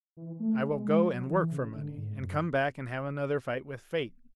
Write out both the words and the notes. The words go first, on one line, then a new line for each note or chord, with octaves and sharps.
I will go and work for money, and come back and have another fight with fate.
E3
A3
G#3
G#3
F#3
E3
C#3
D3
G#2
F#2